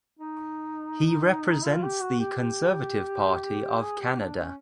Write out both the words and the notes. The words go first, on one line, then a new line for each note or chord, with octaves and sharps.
He represents the Conservative Party of Canada.
D#4
F4
G4
F#4
G4
G4
G#4
G4
D4
C#4